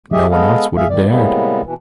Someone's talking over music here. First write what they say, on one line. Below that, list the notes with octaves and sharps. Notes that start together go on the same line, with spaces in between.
No one else would have dared.
G4 G#4 D#5 E5
G#3 B3 A4 D#5 F5
G#4 E5 F5
F2 D#3 D5
A2 C3 G3 G#3 A#3 B3
B2 E3